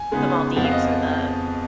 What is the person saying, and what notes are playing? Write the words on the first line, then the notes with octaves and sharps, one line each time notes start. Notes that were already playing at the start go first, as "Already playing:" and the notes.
the Maldives or the,
Already playing: G#5
C#3 G#3 B3 D#4
F2 F3 G#3 B3 F#5
F5
D#5